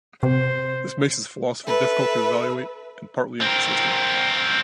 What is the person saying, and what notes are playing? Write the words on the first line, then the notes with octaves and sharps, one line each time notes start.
This makes his philosophy difficult to evaluate and partly inconsistent.
C3 C5
A4 B4 E5
C4 A#4